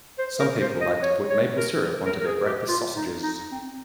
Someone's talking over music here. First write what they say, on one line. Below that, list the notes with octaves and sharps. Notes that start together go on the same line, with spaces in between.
Some people like to put maple syrup onto their breakfast sausages.
C5
A#4
C5
D#5
C#5
C#5
A#4
A#4
A#4
G#4
G4
F4
D#4
D#4
C4